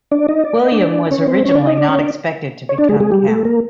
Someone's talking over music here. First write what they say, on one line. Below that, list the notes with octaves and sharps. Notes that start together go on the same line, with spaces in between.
William was originally not expected to become count.
D4 D5
D#4 D#5
D5
D#5
D4 D5
C#4 C#5
C4 C5
C#4 C#5
D4 D5
D#4 D#5
D4 D5
C#4 C#5
D4 D5
C#5
D4 D5
G#3 G#4
G#3 G#4
G3 G4
A3 A4
A#3 A#4